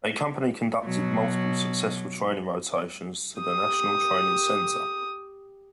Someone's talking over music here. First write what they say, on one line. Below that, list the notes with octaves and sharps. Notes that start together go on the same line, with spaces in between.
A Company conducted multiple successful training rotations to the National Training Center.
B2 F#3
G4 D#6